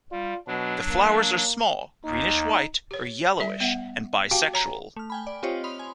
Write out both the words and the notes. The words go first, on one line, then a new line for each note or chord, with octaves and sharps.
The flowers are small, greenish-white or yellowish, and bisexual.
G3 F4
B2 F#3 D4
A#3
D#2 D#4
G4 C#5
G3 E5
B3 E5 F#5
F#4 G4 F5 G5 A5 D6
C#5 A#5
A3 F6
G5 G#5 B5
D5
C4 F4 G4 C5 C#5 D#5
B5 C6 D#6 F7
G#5